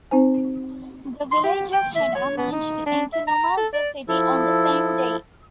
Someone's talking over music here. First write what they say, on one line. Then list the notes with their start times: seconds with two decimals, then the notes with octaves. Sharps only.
The village of Heda merged into Numazu City on the same day.
0.11 C4 D#4 C5 G#5
1.31 C6
1.44 G4
1.73 G5
1.95 E5
2.15 C#5
2.37 B3
2.52 D#4
2.86 D4
3.13 E5
3.27 A#5
3.57 A4
3.73 D5
4.08 F3 E4 A4